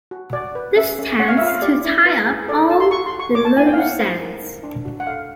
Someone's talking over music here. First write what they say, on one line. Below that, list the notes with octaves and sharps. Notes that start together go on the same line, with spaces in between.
This tends to tie up all the loose ends.
F#4
F#4 D5
B4
C#4 E5
C#4
C#5 F#5
F5
E5
F4
F5
G4 D5
E4
B4
G#4
A4 D5
A4 A5
C6
F#4 C#6
C6
F#4
C#6
C#5 D6
A5
E4 G#5
G5
F5
E4 F#5
C5
A#4
D#4
D4
F#4
F#5
A4 F5